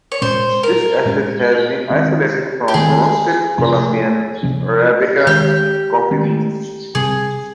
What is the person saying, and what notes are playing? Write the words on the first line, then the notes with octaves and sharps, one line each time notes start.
This acid has been isolated from roasted Colombian arabica coffee beans.
C#5
A#2 G#3 C#4 C5
A#4
A#2 G#3 C#4
D#3 G#3 C4
G4
D#3 G#3 C4 G#4
C3 F3 A#3 C#4
C3 F3 A#3 C#4
D#3 G#3 C#4 G4
D#3 G#3 C#4
C3 G3 C4 G#4